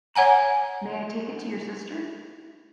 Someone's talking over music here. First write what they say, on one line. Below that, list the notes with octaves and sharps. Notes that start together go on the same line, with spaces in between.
May I take it to your sister?
C#5 F#5 G#5 A#5